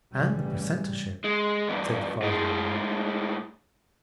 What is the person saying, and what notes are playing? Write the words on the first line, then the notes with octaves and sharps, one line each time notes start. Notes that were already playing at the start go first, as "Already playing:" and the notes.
"And the precentorship," said the father-in-law.
A1 C#3 E3 G3
G#3
E2 G2
A2 G#3